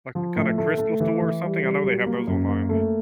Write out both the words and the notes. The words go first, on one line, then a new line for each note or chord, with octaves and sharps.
Like, some kinda crystal store or something? I know they have those online.
F3
A2
A3
A3
E3
E3
G3
G3
F#3
A#3
F#2
A#3
A3